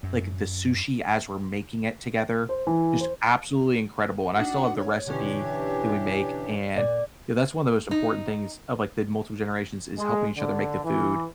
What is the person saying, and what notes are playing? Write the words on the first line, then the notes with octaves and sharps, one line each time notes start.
like, the sushi as we're making it together. Just absolutely incredible, and I still have the recipe that we make, and, you know, that's one of the most important things of, like, the multiple generations is helping each other make the food
F#2
C5
E3
C5
D4 D#4 F#4 F#5
C#5
B2 D3 E3 C#4 D4 G4
A#2 D5
D#4
G#3
D3
E3